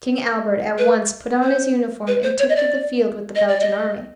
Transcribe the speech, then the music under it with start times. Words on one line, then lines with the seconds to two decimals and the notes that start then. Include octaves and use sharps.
King Albert at once put on his uniform and took to the field with the Belgian army.
0.78 B4
1.43 C5
2.07 B4
2.23 C5
2.39 C#5
2.49 D#5
2.56 D5
3.36 D#5
3.48 D5
3.60 D#5